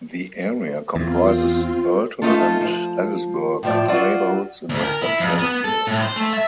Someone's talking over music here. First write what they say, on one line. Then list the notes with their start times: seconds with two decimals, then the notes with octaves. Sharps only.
The area comprises Erlton and Ellisburg, two neighborhoods in western Cherry Hill.
0.96 E2 C4 F4
2.22 A3 C#4 D#4 F4 A4
2.61 F3
3.63 A2 F3 D5
3.88 F#3 F4 F#4 D5
4.69 D2
4.84 A#4
5.01 E4
5.20 F2
5.39 B3
5.64 A4
5.87 A2
6.01 C5
6.16 A3
6.33 E5